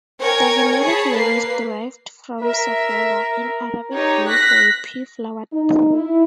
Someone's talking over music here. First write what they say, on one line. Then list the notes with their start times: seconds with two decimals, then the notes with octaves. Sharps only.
The generic name is derived from "sophera", an Arabic name for a pea-flowered tree.
0.20 A#4 C#5 G5 G#5 G#6
0.81 G#4 C#5 A5 B5
1.14 A#3 B4 C7
2.43 A#4 E5
3.92 D#4 G4 C#5
4.28 F#6 A#6 B6
5.52 D#4
5.92 E4